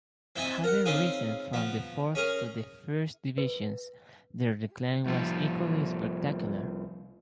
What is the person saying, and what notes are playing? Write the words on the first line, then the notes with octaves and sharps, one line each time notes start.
Having risen from the Fourth to the First Divisions, their decline was equally spectacular.
C4 E4 D#5 G#5
A#4 F#5
C#3 C4 D#4 F4 G#4
F3 B3
C#4 G#4 A#4
B4
C2 F3